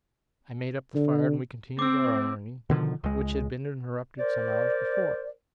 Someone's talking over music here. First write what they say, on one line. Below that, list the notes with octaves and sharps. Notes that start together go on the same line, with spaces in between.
I made up the fire and we continued our ironing, which had been interrupted some hours before.
D3
C4 D6 E6
B2 D3 D#3 F3
C#2 G#3
A#4 C5 D5